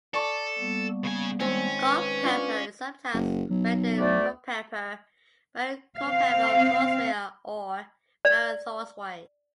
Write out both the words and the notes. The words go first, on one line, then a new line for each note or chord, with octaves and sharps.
Colepeper is sometimes rendered "Culpeper", Baron Colepeper of Thoresway, or Baron Thoresway.
A4 D5 A5 C#6
G3 A#3 B3
C#3 G#5
D#3 G#3 C4 C#4
B4
D4 F4 D5
F#1
B1 F#3
D2 A3 D5
C4 F5
D5